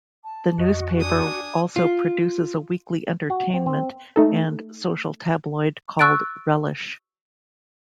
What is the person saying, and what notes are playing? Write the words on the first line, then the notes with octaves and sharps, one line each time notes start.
The newspaper also produces a weekly entertainment and social tabloid called "Relish".
A5
F2 F#4 D#5
D4 G#5 D#6
F4
F#4
C4
C4
A3 D#4 A4
C#6 E6 F#6 A6 D7